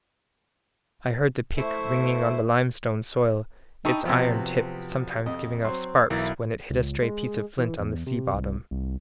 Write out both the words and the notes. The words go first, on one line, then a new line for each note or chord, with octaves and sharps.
I heard the pick ringing on the limestone soil, its iron tip sometimes giving off sparks when it hit a stray piece of flint on the sea bottom.
A3 E4 C5 E5 C#6
D#4 G5 A5 B5 C#6 D#6 E6
C3 F3 F#3 B3
F2 D#5
F#3 C4 C6
B1 E3 E4 A#4 A6
C#2
G#3
E3
E2
C3
C2
C2